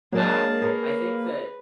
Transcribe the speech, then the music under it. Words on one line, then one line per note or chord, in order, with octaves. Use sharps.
Ah. I think that
F#3 G#3 A#3 D4 G#4 A5
G#4 A#4 B4 C#5